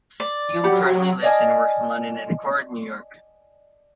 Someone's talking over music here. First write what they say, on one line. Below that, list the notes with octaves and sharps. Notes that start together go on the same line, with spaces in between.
Hume currently lives and works in London and Accord, New York.
D5
F#3 G4 F#5 B5
D5 D#5 F5 G#5 A5 D#6